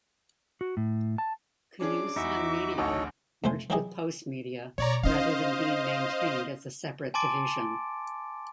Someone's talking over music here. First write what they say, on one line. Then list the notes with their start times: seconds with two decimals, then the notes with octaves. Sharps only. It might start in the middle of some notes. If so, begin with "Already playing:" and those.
Canoe Sun Media merged with Postmedia rather than being maintained as a separate division.
0.61 F#4
0.77 A2
1.18 A5
1.81 C#4 D4 G#4 D6
2.16 E2 D#4 F#4 E5
2.78 D1 A1 D2 A4 C#5 D#5
3.44 F2 A3 C5 G#5
3.70 E3 F#3 E4 G4 G#4 D#5
4.78 B2 C#5 D5 A#5
5.03 C#4 D#4 C5 D#5 F5
7.14 G#5 A5 C6 D6 A6 D7